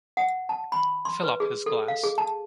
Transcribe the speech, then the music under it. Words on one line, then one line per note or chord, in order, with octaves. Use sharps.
Fill up his glass.
F#5
A5
B5
C6
B4
G#4
A4
F5
G#4
A5